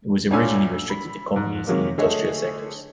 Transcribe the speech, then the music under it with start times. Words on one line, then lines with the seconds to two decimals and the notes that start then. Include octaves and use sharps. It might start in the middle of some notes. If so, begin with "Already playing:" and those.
It was originally restricted to companies in industrial sectors.
0.31 D2 C#4 D4 F4 G#5 E6
0.90 B5
1.36 G#2
1.67 C3 D#3 F#3 G#3 A#3
1.98 D3 A3 G#4 C#5 D#5